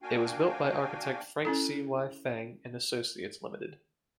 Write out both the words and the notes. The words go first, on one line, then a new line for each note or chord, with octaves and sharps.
It was built by architect Frank C Y Feng and Associates Limited.
A#3 D4 F#4 F5 G5 G#5
C#4 E4 A4